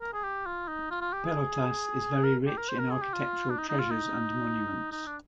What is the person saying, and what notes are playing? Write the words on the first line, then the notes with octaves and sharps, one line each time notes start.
Pelotas is very rich in architectural treasures and monuments.
A#4
G#4
G4
F4
D#4
F4
F4
G4
G#4
A#4
G4
A#4
C5
A#4
G#4
G4
F4
D4
D#4
D#4
F4
D#4
D#4
D4